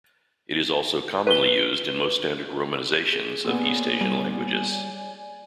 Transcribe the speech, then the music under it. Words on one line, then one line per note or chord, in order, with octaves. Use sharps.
It is also commonly used in most standard romanizations of East-Asian languages.
B4 G7
G#4
A#2 B3 C#5 D5 G#5
G3